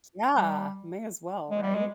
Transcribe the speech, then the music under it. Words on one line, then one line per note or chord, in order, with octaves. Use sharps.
Yeah, may as well, right?
G3
G#3
G3
G#3